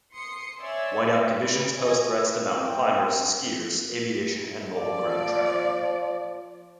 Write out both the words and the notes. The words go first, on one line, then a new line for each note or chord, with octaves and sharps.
Whiteout conditions pose threats to mountain climbers, skiers, aviation, and mobile ground traffic.
C6 D#6 C7 C#7
C#5 D5 E5 G#5 C6 E6
B4
C#5 D#5 G#5 D#6
C4
F3 D5